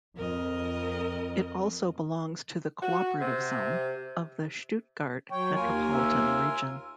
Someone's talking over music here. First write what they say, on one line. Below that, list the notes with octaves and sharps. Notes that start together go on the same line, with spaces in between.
It also belongs to the "Cooperative Zone" of the Stuttgart Metropolitan Region.
F2 A#4 D#5
F#4
C3
F#3 C#5 G5
D#2 A#3 F4 A#4 G#5
E5